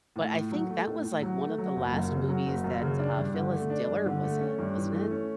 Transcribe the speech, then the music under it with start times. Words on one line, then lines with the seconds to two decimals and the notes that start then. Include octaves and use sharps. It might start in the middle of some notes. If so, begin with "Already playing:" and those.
but I think that was, like, one of the last movies that, uh, Phyllis Diller was in, wasn't it?
0.16 A2
0.34 A2
0.51 F#3
0.70 A3
0.86 A2
1.05 A2
1.22 F#3
1.40 A3
1.58 F#3
1.76 F#1
1.93 F#2
2.11 C#3
2.29 F#3
2.46 F#1
2.64 F#2
2.82 C#3
2.99 D4
3.18 G2
3.34 D3
3.53 A3
3.70 D4
3.88 G2
4.06 D3
4.23 A3
4.41 C#4
4.59 G2
4.77 E3
4.93 A3
5.11 C#4